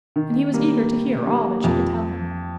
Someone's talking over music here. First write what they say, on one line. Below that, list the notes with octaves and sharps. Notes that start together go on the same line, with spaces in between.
And he was eager to hear all that she could tell him.
D#3
G3 A#3
D#3
G3 A#3
F2